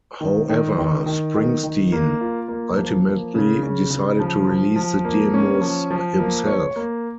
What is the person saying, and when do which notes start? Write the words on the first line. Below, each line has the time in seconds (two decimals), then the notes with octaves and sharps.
However, Springsteen ultimately decided to release the demos himself.
0.21 D#3
0.49 D#3
0.78 D#3
1.06 D#3
1.35 D#3
1.63 D#3
1.92 A#3
2.21 F4
2.48 A#3
2.77 F3
3.06 A#3
3.35 C#3
3.63 C#3
3.90 C#3
4.19 F3
4.47 F3
4.76 F3
5.05 A#3
5.34 C#4
5.61 F3
5.90 F3
6.19 A#3
6.46 C#5
6.76 A#3